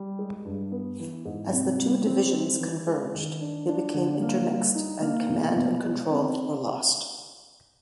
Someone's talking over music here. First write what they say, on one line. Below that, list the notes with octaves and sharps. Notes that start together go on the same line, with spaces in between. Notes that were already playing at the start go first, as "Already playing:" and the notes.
As the two divisions converged they became intermixed and command and control were lost.
Already playing: G3
G#3
G2
B3
E3
G#2
C3
G3
C4
C4
E3
G#3
D#3
D4
D4
D3
A#3
G3
D#4
A#3
B2
B2
G#3
C4